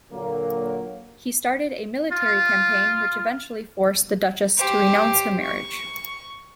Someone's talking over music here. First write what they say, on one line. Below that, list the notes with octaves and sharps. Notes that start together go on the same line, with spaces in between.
He started a military campaign which eventually forced the duchess to renounce her marriage.
A#2 D3 F#3 A#3
F4
G4 C5
C#6